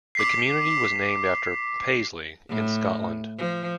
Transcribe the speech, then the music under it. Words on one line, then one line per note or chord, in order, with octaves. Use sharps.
The community was named after Paisley, in Scotland.
D6 B6 C7
A2
F3